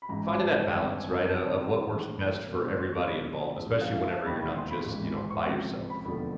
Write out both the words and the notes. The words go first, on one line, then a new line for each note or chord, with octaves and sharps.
finding that balance, right, o of what works best for everybody involved, especially whenever you're not just, you know, by yourself.
B5
A1 G#2 E3 A#5
A5
G#1 G2 D#3
G#5
A#5
C2 C3 D#3 A5
A5
A#5
A#1 A2 E3
B5
E1 D#2 D3
C6
C#6
B1 A#2 F3 B5
D2 C#3 F3
F5
F5
E5
A5
E1 D#2 D#3 B5
B5
C6
B5
A1 G#2 E3
C6
C#6
C#2 C3 F3
B5
E1 D#2 D3 F3 B5